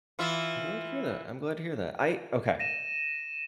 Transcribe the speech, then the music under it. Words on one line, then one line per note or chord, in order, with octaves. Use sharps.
I'm glad to hear that, I'm glad to hear that, I okay,
E3 F4 E5
A#6 D#7 E7